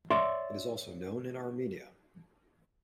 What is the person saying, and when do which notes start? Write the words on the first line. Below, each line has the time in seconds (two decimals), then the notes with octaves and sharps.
It is also known in Armenia.
0.10 C#5 D5 E5 C6